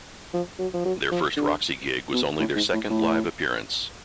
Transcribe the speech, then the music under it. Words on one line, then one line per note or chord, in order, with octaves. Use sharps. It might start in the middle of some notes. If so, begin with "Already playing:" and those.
Their first Roxy gig was only their second live appearance.
F3
F#3
F3
F#3
F3
D3
B2
A2
G#2
A2
A2